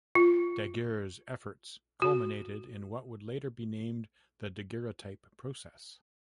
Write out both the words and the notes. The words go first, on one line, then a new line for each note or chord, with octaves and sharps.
Daguerre's efforts culminated in what would later be named the daguerreotype process.
F4
F#4